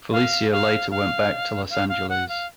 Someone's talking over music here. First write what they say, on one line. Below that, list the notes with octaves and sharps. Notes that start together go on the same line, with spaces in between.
Felicia later went back to Los Angeles.
F5
F5
F5
F5
F5
F#5
F5